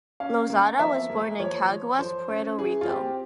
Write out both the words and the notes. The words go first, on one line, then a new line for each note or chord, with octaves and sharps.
Lozada was born in Caguas, Puerto Rico.
C#4 F5
A#3
F3 E5
A#3
F3 C#5
F3
F3 C5
C#4
E3 G#4
F4
C4 G4